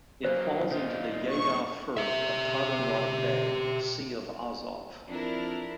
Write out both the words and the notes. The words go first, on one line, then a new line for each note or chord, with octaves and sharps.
It falls into the Yeya Firth of Taganrog Bay, Sea of Azov.
C#3 F#3 A#3 C5
A#2 D#4 F4
C#6
G4 E5
F2 D4 E4 A#4